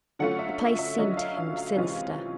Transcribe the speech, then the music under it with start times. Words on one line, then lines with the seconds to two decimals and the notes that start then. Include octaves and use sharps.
The place seemed to him sinister.
0.19 D3 F#3 A3 C#4 F4 F#5
0.39 E5
0.59 E5
0.79 E5
0.98 D3 F#3 A3 C#4 F4 D#5
1.17 F5
1.37 F5
1.57 F5
1.76 C3 E3 G#3 C#4 F4